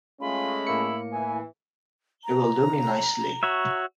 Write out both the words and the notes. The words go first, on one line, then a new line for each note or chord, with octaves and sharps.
It will do me nicely.
G#3 A3 C#4 F4 B5
A2 A#3 E4 C#7
E3 G#5
A#5
F#4 C#5 E5